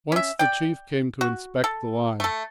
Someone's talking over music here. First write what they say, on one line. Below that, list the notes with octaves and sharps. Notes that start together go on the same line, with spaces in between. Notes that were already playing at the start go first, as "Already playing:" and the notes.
Once the Chief came to inspect the line.
C#4 E5
D5 G5
F#4
A4
A3 A4